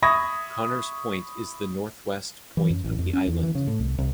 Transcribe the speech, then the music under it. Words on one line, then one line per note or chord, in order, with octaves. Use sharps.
Connors Point is the northwest point of the island.
E5 B5 C#6 D#6 G#6 A#6
E3
F#2
A1
F2
C#4
E2
E3
C#3
A2
C2
C2